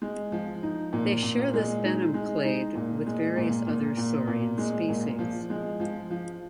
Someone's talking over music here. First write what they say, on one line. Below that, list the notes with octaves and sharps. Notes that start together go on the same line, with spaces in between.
They share this venom clade with various other saurian species.
G#3
F3
D#4
A#2
A#2
G#3
D#4
G#3
D#4
A#2
G#3
A#2
A#2
A#2
A#2
G#3
A#2
F3
G#3
F3
F3